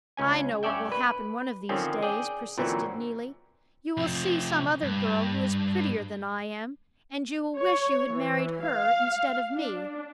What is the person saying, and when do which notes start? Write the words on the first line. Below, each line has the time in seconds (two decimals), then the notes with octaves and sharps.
"I know what will happen one of these days," persisted Neelie. "You will see some other girl who is prettier than I am; and you will wish you had married her instead of me!"
0.17 C#2 C#4 G#5
0.63 G2 C#4 C#5 D5 E5 G5
0.92 B4
1.69 D3 D#3 F3 C4 C#4
2.03 G#4 D5 G5
2.58 A#2 D3 E3 F#3 C4 C#4
3.98 C3 F3
4.83 G2
7.58 C#5
8.11 E3
8.64 F5
9.51 D4